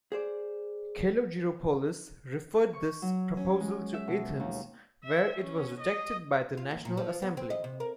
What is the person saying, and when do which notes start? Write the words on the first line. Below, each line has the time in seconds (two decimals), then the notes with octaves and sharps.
Kalogeropoulos referred this proposal to Athens, where it was rejected by the National Assembly.
0.12 G#4 C5 D5
2.73 C#6
3.02 F#3
3.37 C#4
3.60 G#3
3.94 E5
4.08 B2
4.40 D#2
5.04 E5
5.42 C#4
5.80 D#5
6.57 F4
6.71 D#2
6.85 A#2
6.97 F3
7.22 B3
7.37 C4
7.50 D#5
7.64 C3
7.80 A#4